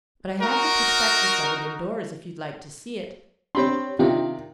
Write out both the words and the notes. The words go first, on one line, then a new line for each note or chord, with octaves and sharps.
But I have the prospectus of it indoors if you'd like to see it.
D#4 F#4 A#4
C4 D4 G4 C#5 B5 C6
C3 D#3 D4 F4 G4